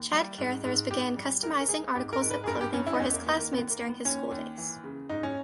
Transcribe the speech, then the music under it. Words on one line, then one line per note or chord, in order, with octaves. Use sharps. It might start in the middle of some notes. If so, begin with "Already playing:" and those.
Chad Carothers began customizing articles of clothing for his classmates during his school days.
Already playing: D#2
G3
G#2
G#2
G#2 G4
G3
C#2 A#4
A#4
G#3 G#4
G#2 G4
A#4
G#2
B4
G#4
G2 A#4
G4
G2 C#4
E4
D#4
E2 C#4
A#3
D#3 B3
A#3
D#2 B3
A#3
D#2
B3
D#2 C#4
D#2
E3
C#3
G#2 D#4
C#4